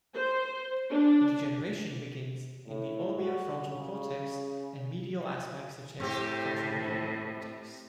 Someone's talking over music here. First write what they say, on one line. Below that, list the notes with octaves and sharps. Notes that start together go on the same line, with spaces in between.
The degeneration begins in the orbitofrontal cortex and medial aspects such as ventromedial cortex.
C5
D4
A2
F#4
C#3
A2 C4 G4